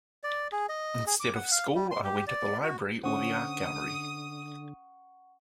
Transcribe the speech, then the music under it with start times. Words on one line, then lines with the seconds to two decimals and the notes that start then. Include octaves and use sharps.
Instead of school I went to the library or the art gallery.
0.24 D5
0.52 G#4
0.69 D#5
1.06 G#4
1.20 D6
1.35 F#5
1.51 F5
1.75 G3
1.91 C6
2.04 G4
2.27 D5
2.63 F#4
3.04 D3 C#4 C5 F#5 C#6 D#6